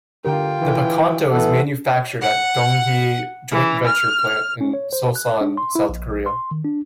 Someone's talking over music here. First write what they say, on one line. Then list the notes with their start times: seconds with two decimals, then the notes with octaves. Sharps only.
The Picanto is manufactured at the Donghee joint-venture plant in Seosan, South Korea.
0.25 D3 F4 G4 A#4 G5
0.61 E3
1.31 E3 B3 A4 F#5
2.21 F#5
3.51 E3
3.86 F6
4.61 C#4
4.73 C#5
4.93 C5
5.16 F#6
5.41 D4
5.57 C6
5.75 E4
5.89 A#1
6.26 C6
6.51 D#3
6.64 D4